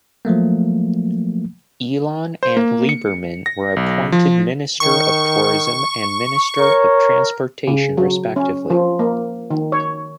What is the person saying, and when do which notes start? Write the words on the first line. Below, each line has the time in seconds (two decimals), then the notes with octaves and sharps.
Elon and Lieberman were appointed Minister of Tourism and Minister of Transportation respectively.
0.25 F3 F#3 A3 A#3
2.43 C5
2.57 A#3
2.89 C#7
3.46 A#6
3.76 B1
4.12 F3
4.80 D#3 C#6
6.59 A#4 C#5
7.67 C#3
7.97 F#3
8.36 C#4
8.70 F3
8.99 A#3
9.50 D#3
9.72 C#5